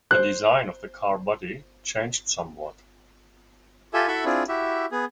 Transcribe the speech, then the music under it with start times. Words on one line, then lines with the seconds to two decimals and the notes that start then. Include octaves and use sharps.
The design of the carbody changed somewhat.
0.11 C5 F#6
3.94 F4 G4 A4 E5 G#5
4.08 E4 F#4 A4 E5 B5 C#6
4.25 C4 D4 E4 F4 G#4
4.49 E4 F#4 G4 E5
4.92 B3 G#4